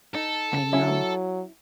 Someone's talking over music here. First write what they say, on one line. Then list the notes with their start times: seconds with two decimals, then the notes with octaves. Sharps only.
I know.
0.15 D#4 A4
0.73 F#3 C#4 E4 E5